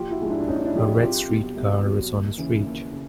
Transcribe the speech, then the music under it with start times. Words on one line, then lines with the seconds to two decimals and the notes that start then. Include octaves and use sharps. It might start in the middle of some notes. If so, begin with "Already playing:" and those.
A red streetcar is on the street.
Already playing: A#1 F4 G4
0.11 E4 F#4
0.20 G#2 F3 G#3
0.30 D4 E4
0.40 D4
0.48 A#1 C#4 D#4
0.59 D#4
0.65 D4 E4
0.74 G#2 F3 G#3 G4
0.84 F#4 G#4
1.01 C2 F4 G4
1.29 B2 F#3
1.56 C2
1.84 B2 F#3
2.11 D#2
2.38 C#3 E3
2.65 D#2
2.92 C#3